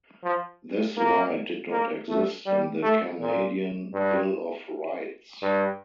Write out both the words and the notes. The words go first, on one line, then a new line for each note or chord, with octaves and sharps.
This right did not exist in the Canadian Bill of Rights.
F3
A#3
A#3
A3
G3
A3
A#2
G2
G2